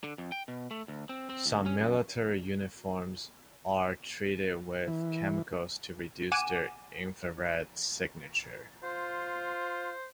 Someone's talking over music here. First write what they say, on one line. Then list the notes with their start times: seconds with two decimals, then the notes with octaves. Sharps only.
Some military uniforms are treated with chemicals to reduce their infrared signature.
0.04 D3
0.18 F2
0.32 G5
0.48 B2
0.71 A3
0.88 D2
1.09 C4
1.30 C4
1.46 D2
1.66 C#4
1.79 F#2
4.88 E3
6.32 F#5 G#5 D6 D#7 E7
8.83 F4 C5